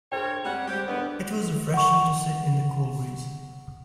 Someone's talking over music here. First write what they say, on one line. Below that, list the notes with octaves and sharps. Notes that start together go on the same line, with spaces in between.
It was refreshing to sit in the cool breeze.
D3 G#4 A#4 C5 C#5 G5
G3 C4 F#5 G#6
G3 G4 C5
D#2 A2 B3 D4
F#5 C#6